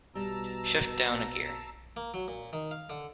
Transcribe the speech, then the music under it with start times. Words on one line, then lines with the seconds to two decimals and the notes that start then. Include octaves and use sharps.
Shift down a gear.
0.15 B2 G3 A5 A#5 E6
1.97 A#3
2.14 F#3
2.28 A#2
2.53 D#3
2.71 F5
2.90 D3